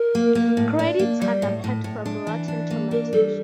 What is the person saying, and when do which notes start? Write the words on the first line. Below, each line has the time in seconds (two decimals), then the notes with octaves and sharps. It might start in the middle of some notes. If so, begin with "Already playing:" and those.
Credits adapted from Rotten Tomatoes.
Already playing: A#4
0.15 A#3
0.35 A#3
0.57 A2
0.79 D4
0.99 A#3
1.22 G3
1.42 A2
1.64 A2
1.84 A2
2.05 D4
2.27 E3
2.48 D4
2.70 A#3
2.91 D4 A#4
3.13 G3 A4